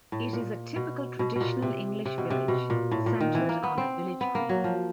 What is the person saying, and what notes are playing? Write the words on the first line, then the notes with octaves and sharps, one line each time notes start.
It is a typical traditional English village, centred on a village green.
A2
A#2
B2
B2
B2
A#2
C3
C3
B2
C3
B2
A#2
A2
A#2
D#3
E3
A#3
B3
C4
B3
A#3
F#3
F3